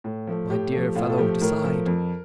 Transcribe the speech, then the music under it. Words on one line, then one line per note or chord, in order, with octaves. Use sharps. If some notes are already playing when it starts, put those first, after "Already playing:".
My dear fellow, decide!
A2
F3 A3
A2 G4
F3 A3
A2 F4
A4
F3 A3 G4
A2 A#4
F3 A3
F2